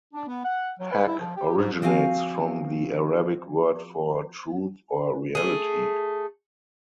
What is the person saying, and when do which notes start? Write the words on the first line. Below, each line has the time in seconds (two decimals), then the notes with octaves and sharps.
Haqq originates from the Arabic word for truth or reality.
0.14 D4
0.27 B3
0.44 F#5
0.79 F#3
0.92 B4
1.06 E4
1.19 F3
1.36 G4
1.56 G#2
1.82 F3 C4 F#4 F5 G#5
5.35 A3 G#4